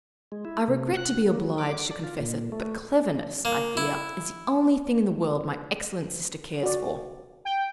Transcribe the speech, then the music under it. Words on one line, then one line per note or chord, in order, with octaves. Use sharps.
I regret to be obliged to confess it, but cleverness, I fear, is the only thing in the world my excellent sister cares for.
G#3
E4
C3
F#6
A#3
F#3
D6
D5
F4
A#2
A3
A#3
E4
F#4 D5
G5